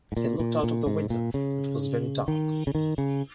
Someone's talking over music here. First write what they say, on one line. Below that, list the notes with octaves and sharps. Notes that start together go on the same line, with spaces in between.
He looked out of the window — it was very dark.
G#2
A#2
A#2
A#2
G#2
A#2
C#3
D#3
C#3
D#3
C#3